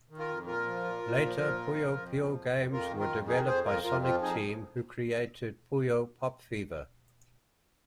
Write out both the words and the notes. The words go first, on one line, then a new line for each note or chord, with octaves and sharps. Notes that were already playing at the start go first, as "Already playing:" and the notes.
Later Puyo Puyo games were developed by Sonic Team, who created "Puyo Pop Fever".
D#3
F4 A#4
F2
A#2 F4 A#4
F3
A#2
A#2
F3
A#2
F2
F3
F2
F3
F2
F2
F2 F4 A#4
D#3
F4 A#4
F2
D#3 D#4 G#4
F2 G#4 C5
F2 F4 A#4
F2 F4 A#4
F3 C4 F4
F2 D#4 G#4